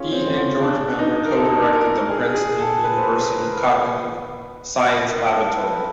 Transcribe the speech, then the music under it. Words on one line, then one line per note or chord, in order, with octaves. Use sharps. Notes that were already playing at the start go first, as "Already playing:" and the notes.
He and George Miller co-directed the Princeton University Cognitive Science Laboratory.
Already playing: C#4 F4 G#4
C4
C4
D4
D#4
A#4
A4
A#4
G#4
G#4
A4
B4
C5
B4
A#4
B4
A#4
A4
B4